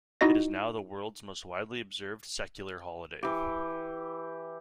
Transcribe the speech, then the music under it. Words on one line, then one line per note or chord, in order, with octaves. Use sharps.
It is now the world's most widely observed secular holiday.
D#4 E4 F#4 D#5 A#6
E3 G4